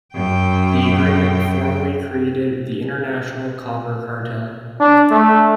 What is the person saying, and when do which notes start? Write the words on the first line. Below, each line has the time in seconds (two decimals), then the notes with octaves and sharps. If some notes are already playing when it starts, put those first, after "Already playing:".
The agreement formally created the International Copper Cartel.
0.14 F#2 G5
4.80 D4
5.11 A3